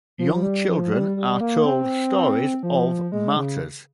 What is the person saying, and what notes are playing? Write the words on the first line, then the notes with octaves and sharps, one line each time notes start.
Young children are told stories of "martyrs".
F3
G3
F3
G3
G3
A#3
C4
F3
G#3
C#3